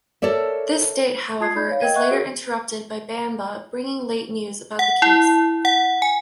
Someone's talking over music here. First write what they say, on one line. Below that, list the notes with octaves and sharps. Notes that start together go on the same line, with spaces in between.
This date, however, is later interrupted by Banba bringing late news about the case.
A4 A#4 C#5 D5 E5
F4 A5 D#6 G#6 C7
D#4 D5 B5 G6 G#6
C#5 F5
A#4 D#5 G5 G#6 D#7
D#5 E5 F#5 C#6 F#6 G#6
F#4 G#4 A#4 D7
F#5
E4
F#5
G#5